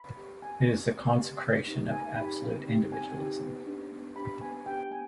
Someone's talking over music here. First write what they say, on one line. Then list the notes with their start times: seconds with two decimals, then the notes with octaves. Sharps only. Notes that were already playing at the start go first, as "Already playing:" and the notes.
It is the consecration of absolute individualism.
Already playing: B5
0.17 G4
0.42 C4 G#5
0.68 G4
0.92 C4
1.17 G4
1.42 C4
1.67 D#4 G4
1.91 C4 G#5
2.16 D#4 G4 B5
2.42 C4
2.67 D#4 G4
2.92 C4 G#5
3.17 D#4 G4
3.42 B3
3.66 D4 G4
3.92 B3
4.16 D4 G4 B5
4.41 B3 G#5
4.66 D4 G4 G5
4.91 B3 G#5